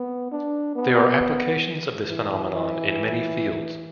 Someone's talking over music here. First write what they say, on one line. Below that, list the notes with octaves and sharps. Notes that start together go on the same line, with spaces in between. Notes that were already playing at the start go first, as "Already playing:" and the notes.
There are applications of this phenomenon in many fields.
Already playing: B3
D4
B3
E3
E3